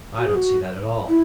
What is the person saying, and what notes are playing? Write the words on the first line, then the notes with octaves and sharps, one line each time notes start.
"I don't see that at all."
F#4
G#4
F#4
E4